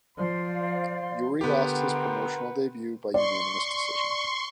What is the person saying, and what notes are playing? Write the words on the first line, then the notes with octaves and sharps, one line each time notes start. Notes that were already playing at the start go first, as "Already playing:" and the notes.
Yuri lost his promotional debut by unanimous decision.
F3 C5 D5 F5 C6
D3 B3 G4 A#4 B4 F#5 G5 C6
D5 C6 C#6